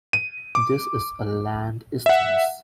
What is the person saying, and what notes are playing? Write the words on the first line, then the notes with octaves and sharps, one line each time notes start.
This is a land isthmus.
D#7
D6
E5 F#5